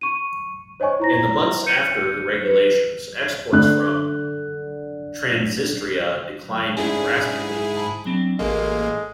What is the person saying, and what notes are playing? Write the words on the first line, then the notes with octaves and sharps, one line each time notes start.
In the months after the regulations, exports from Transnistria declined drastically.
C#6 D#7
C5 C#5 D#5 G#5 C#6
E4 A#5 A#6
G6 C#7 D#7
B4
D3 F#6
G#2 C#4 D4 E4 G#4
A5 B5
F#3 C4 D4
A1 G#3 A#3 A4